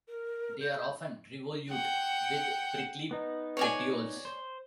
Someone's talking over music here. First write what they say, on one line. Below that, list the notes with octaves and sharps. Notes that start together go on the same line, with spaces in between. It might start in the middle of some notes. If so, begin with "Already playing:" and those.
They are often revolute, with prickly petioles.
A#4
G6
F#5 G5
B3 D#4
C#5 D5 G#5
C5